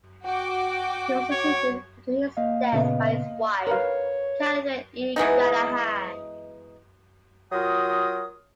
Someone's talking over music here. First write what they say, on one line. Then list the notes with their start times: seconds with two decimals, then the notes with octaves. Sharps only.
He was succeeded after his death by his wife, Kathryn E. Granahan.
0.24 F#4 G5 D6
1.31 C#5
2.37 A#3 D#5 F5
2.73 A#2 C#3 B3
3.67 A#4 B4 C#5 F5
5.16 E3 G#3 B3 D#4
7.52 F#3 F4 A#4 G5 D#6